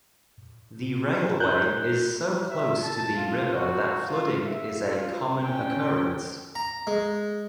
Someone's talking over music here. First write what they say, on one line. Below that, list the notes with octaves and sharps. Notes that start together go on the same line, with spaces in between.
The railway is so close to the river that flooding is a common occurrence.
A#4 F#6 G6
E5
A5
F4
F#4
F4
E5
F4
C#4 G5
A#5
G#3